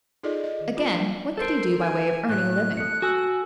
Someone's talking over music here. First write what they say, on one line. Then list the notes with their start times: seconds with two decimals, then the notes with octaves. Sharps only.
Again, what could he do by way of earning a living?
0.23 D#4 F4 G#4 A4 D5 D#5
0.44 D#5
0.60 D#3
0.77 D4 F4
0.95 F#3 G3 A#3
1.37 A4 A#4 C5
1.80 G#5
2.29 A2 F#6
2.77 A4 C#7
3.02 F#4 A4 G#5 E6